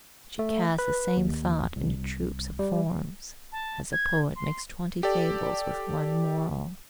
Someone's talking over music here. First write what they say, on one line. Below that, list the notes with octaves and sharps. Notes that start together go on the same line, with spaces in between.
She casts the same thought into troops of forms, as a poet makes twenty fables with one moral.
A3
B4
D#2
C2
G3
A5
G#6
C6
G4 A4 D5